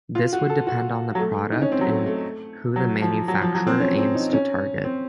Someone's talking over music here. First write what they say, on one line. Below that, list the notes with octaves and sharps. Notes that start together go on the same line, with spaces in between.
This would depend on the product and who the manufacturer aims to target.
F4
F#4
A4
F#4
F#3
A3
D#4
C#4
C4
F#3
A3
A3
F#3
F3
F#3
F3
F#3
C4
C#4
C4
D#4
C#4
C4